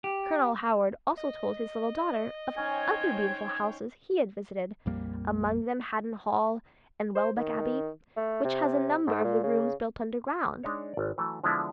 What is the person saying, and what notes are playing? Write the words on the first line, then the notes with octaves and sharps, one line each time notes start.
Colonel Howard also told his little daughter of other beautiful houses he had visited, among them Haddon Hall and Welbeck Abbey, which has a number of the rooms built under ground.
G4
D#5
D#3 C#4 C5 C#5 G5 G#5 G#6
A#1 F2 G3 A#3
C5
D#3
A3
C3
G#2
A#2
C#3
G#3 D4 D#4 C#5
G#1 D5
E3 F#3 A3
D3 F3 G#3 B3 D4 E4